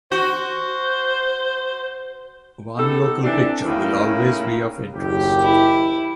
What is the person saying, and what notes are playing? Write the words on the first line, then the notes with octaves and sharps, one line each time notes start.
One local picture will always be of interest.
F#4 C5
B3 D#4 G4 A4
C3 E3 C4 D4
D#2 A2 C#3 C#4 E4 A#4
F#1 D#2 G4
E4